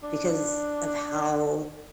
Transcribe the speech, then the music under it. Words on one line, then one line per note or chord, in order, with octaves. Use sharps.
because of how
D4